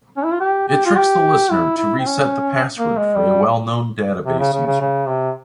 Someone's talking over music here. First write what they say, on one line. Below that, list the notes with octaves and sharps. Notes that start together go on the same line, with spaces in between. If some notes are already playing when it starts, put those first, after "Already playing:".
It tricks the listener to reset the password for a well known database user.
C#4
E4
F4
G4
G4
F4
G4
E4
E4
C4
C#4
A#3
G#3
G3
C3
C#3
C#3
C#3
C#3
C3